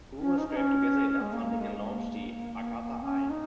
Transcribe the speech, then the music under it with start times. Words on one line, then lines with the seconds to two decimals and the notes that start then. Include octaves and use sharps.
Hoover scraped together enough funding and launched the "Arcata Eye".
0.19 C#4
0.38 D#4
0.49 D#4
0.57 C#4
1.21 G#3
1.33 A#3
1.60 G#3
1.89 A#3
3.02 C#4
3.30 D#4